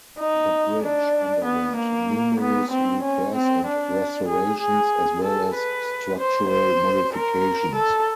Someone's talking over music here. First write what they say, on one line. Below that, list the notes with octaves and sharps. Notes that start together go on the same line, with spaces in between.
The bridge underwent numerous repairs and restorations, as well as structural modifications.
D#4
D4
B3
A#3
B3
C4
C#4
C4
D4
G#4
G#4
A4
B4
C5
C5
A#4
A4